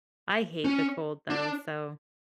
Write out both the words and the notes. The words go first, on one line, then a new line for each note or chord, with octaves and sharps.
I hate the cold, though, so,
C#4
D4